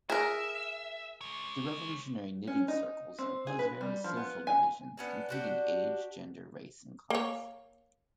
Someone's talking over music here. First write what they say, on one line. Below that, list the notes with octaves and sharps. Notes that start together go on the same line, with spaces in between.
The Revolutionary Knitting Circles oppose various social divisions, including age, gender, race and class.
G#4 A#4 E5
G#3 C#5
C#4
D#4
C4
G#4
B4
G3
F3
B3
G#5
B3 C#4 D4
D4 F#4 G4
A#3 C#5